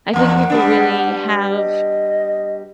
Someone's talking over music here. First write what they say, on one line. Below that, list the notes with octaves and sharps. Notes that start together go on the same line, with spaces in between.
I think people really have
E2 A#3 F#5
G3 B3 D4
D#5